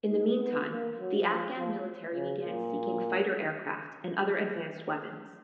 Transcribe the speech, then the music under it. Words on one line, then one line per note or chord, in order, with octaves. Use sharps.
In the meantime, the Afghan military began seeking fighter aircraft and other advanced weapons.
D#4
B3
A#3
F#3
F3
F3
C#3
A#2